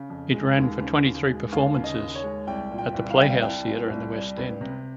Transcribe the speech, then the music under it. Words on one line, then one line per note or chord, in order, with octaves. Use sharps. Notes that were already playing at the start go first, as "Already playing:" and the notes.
It ran for twenty three performances at the Playhouse Theatre in the West End.
Already playing: C#3
F2
G#3
D#2
C#3
D#2
G#3
D#2 F5
C#3
D#5
D#2
C#5
G#3
C2 G5
A#2
G5
C2
F5
G3 G5
F5
C2 G5
A#2
C2
G3
C#2
C3